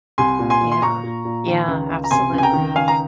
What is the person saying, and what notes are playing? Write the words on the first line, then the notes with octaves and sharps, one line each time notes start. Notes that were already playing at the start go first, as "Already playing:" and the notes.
Yeah, yeah absolutely.
C2 G#5 C6
A#2
G#5 C6
A#2
C6
A#2 A#5 C#6
A#2
A#2
D#3
C#2
C#2
A#5
C3 G#5 C6
C#2
G#5
G5 A#5
D#3
C#2 F5 G#5
A#5